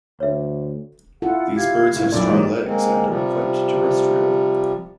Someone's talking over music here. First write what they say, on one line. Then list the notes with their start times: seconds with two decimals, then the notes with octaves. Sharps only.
These birds have strong legs and are quite terrestrial.
0.20 D2 C#5 E5
1.22 E4 F4 A4 F#5
1.56 G4 F5 G#6
1.96 A2
2.12 B1 A#2 F#3 E4 A4 D5
2.29 G#2 E3 G3 A#3 D#4 C#5
2.65 G#3 A#3 C4
3.07 C3 F3 G3